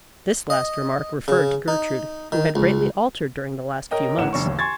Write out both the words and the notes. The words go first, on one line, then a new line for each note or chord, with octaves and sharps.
This last remark referred to Gertrude, who had greatly altered during the last few months.
D#5
C#3
D#4
D#3
C#2
A#4 C#5 D#5 G5
A1 A2 E3 A#4 F#5 E7
F#1 D4 C#5 C#6
A1 D#2
G#5 C6 C#6 G#6 A6